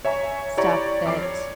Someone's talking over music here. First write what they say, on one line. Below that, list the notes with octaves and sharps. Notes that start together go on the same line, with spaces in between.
stuff that
C#5 E5 G#5 A#5 C#6
E4 G4 C#5 D5 A#5 C#6
F2 D5 D6 C7
C#5